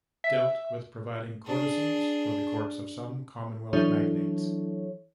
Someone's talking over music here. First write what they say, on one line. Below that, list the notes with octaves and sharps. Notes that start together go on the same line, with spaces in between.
Dealt with providing courtesans for the courts of some Commonwealth magnates.
E5
D4 G#4
E3 F#3 D4 E4 A4 C#5